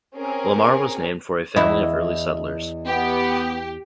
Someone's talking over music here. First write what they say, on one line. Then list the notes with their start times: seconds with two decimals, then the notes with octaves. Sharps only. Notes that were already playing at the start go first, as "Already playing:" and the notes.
Lamar was named for a family of early settlers.
0.16 C4 C#4 G#4 A#4
1.56 E2 E4 D#5
2.86 B3 G4